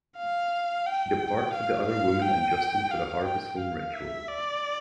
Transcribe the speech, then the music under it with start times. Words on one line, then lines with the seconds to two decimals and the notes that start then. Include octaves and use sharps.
She departs with the other women and Justin for the Harvest Home ritual.
0.18 F5
0.86 G5
1.54 F5
1.88 F5
2.22 G5
2.91 F5
3.26 G5
3.59 F5
3.94 E5
4.28 D5